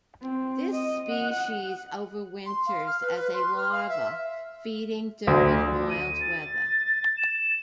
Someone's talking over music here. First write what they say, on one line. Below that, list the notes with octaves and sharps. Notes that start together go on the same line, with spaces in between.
This species overwinters as a larva, feeding during mild weather.
C4
D#5
F#5
C6
F5
F6
B4
B4
C6
F6
F5
E5
D2
D#7
A6
E7